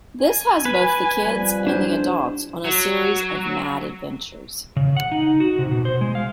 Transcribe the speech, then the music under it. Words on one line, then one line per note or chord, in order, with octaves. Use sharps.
This has, both the kids and the adults, on a series of mad adventures.
G#5
B4
F2 F3 G3
D4 E4 C5
F#3
C#3
F#5
D#4
F#4
C3
B2
C5
G#3
F5